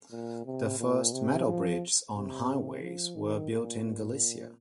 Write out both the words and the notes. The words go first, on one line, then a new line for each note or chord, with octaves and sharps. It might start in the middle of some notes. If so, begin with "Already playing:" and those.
The first metal bridges on highways were built in Galicia.
A#2
C3
A#2
C3
F3
C3
F3
D#3
A#2
A#2